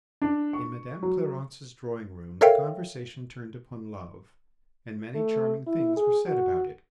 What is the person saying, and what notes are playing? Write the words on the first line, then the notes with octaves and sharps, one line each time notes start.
In Madame Clarence's drawing-room the conversation turned upon love, and many charming things were said about it.
D4
C#6
F#3
A4 A#4 C#5 E5 F5 G5
A3
E4
G#4
F#4